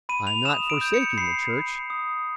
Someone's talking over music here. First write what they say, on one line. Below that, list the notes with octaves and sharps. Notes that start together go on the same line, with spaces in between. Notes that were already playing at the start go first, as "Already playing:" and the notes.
I am not forsaking the Church.
B5 D#7
F7
D#6 E7
D7
G6
C#7
B5 C7
B5
D#6